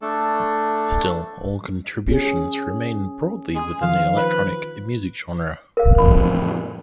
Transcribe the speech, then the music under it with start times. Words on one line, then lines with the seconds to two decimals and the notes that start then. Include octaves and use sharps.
Still, all contributions remain broadly within the electronic music genre.
0.02 A3 D4 A4
2.08 C#4 G#4
3.56 G#4
3.82 D#3 F3 F5
4.17 B4
5.77 A#4 F5
5.98 A1 F2 B5